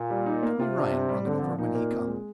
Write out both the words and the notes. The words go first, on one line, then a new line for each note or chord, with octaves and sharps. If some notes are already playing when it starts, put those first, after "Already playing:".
Tommy Ryan brung it over when he come.
Already playing: A#2
G3
D#4
A#3
C3 F4
D4
C4
G3
D3 C4
F3
A#2 D#4
A#3
C4
G#3